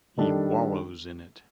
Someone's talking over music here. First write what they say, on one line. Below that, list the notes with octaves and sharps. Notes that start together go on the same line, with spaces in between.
He wallows in it.
D#3 G3 D4 A4